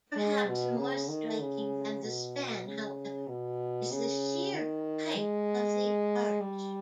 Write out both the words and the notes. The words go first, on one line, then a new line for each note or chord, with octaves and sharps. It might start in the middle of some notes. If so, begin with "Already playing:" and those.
Perhaps more striking than the span, however, is the sheer height of the arch.
G#3
B2
C#3
D#3
C#3
B2
C#3
B2
C#3
D#3
G#3
G3